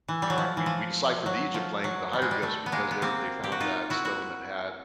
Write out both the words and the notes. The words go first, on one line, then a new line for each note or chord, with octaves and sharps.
You know, like, we we deciphered the Egypt lang the hieroglyphs because they're they found that stone that had
E3
G3
F#3
F3
E3
F3
F#3
F3
F#3
G3
G#3
G3
G3 A3
B3
G#3 A#3
B3
A#3 C4
G4
F#4
D#4 F4
E4 F#4
E4 F#4